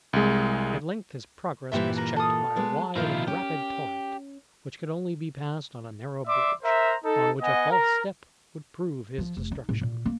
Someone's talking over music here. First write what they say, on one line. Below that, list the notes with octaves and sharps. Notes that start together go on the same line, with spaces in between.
At length his progress was checked by a wide and rapid torrent, which could only be passed on a narrow bridge, on which a false step would prove his destruction.
C2 G#3
G2 A#2 E3 G4 C5 E5
A#4 B4
A4 F5 D#6
G#3 B3 D5
A#2 D#3 F3 E4 F4 A#4 G6
C#4 G4
D5 E5 C6 D6
A#4 C5 E5 A#5
D#4 A4
B3 D#5 F#5 G#5
A#4 A#5
F3
F1
D#4
A2
A#2
A#3